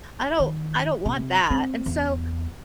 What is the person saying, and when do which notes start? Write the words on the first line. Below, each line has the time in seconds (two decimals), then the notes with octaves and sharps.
I don't I don't want that," and so
0.40 D#3
1.06 C3
1.51 C4
1.86 E2